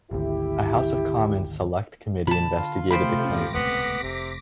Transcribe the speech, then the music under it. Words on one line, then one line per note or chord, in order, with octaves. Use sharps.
A House of Commons select committee investigated the claims.
G#1 D2 E4 G4
A#2 D3 F3 A5 B5
D3 F4
C3 F3 A3 C5 G5 B5
G2 C#4 D6 A#6 B6
D#1 C#2 A3 B3
F1 C3